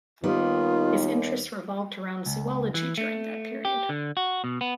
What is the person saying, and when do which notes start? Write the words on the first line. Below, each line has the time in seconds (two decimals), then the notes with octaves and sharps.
His interests revolved around zoology during that period.
0.24 D#2 D#3 G3 B3 F4
2.26 C#2
2.74 E3
2.98 A3
3.65 G4
3.89 D3
4.17 F#4
4.44 B2
4.61 B3